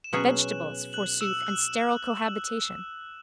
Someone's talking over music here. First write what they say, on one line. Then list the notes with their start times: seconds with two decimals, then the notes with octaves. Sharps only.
Vegetables, forsooth, and sterile cohabitation!
0.04 E7
0.12 B2 F#3 C#4 G#4 C#5 F#6 F#7
0.93 F#6 F#7
1.21 E6 E7
1.47 F#6 F#7